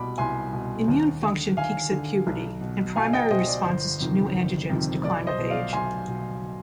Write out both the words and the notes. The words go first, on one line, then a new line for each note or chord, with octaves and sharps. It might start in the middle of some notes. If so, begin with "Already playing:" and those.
Immune function peaks at puberty and primary responses to new antigens decline with age.
Already playing: C2 B2 B5 D6
C2 G#5 C6
B2
D#2
D3
D#2 F5 G#5
D3
B1
B2
B1 F5 G#5
D#5 G5
B2 C5 D#5
D5
G1 C5
F2 C3 D#3
G1
F2 C3 D#3
B1 D5
C5 D#5
B2
D5 F5
B1 G#5 C6
B2